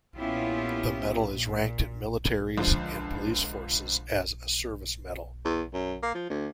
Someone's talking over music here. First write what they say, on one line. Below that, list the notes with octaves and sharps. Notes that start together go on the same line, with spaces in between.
The medal is ranked in militaries and police forces as a service medal.
A#2 B3 C#4 E4 F4 G4
A#2
C#2 D3 F3
E2
F#2
A#3
F3
D2